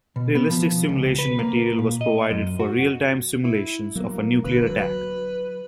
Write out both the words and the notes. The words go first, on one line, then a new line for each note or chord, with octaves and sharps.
Realistic simulation material was provided for realtime simulations of a nuclear attack.
B2
B3
F3
C#2
B4
A#3
A#2
D#5
F#2
F#4
E4
F#3 A#3 B3
D1 A1 D3 B4
F#3 B4